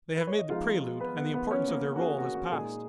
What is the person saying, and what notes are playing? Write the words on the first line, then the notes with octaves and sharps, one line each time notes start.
They have made the prelude, and the importance of their role has passed.
B4
C#5
D#5
F3 G#3 B3 D#4 F4 F5
B3 B4
B3 B4
B3 B4
C#4 C#5
A#3 A#4
F#4
G#4
F#4
F#4
A#2 G#3 D#4 G#4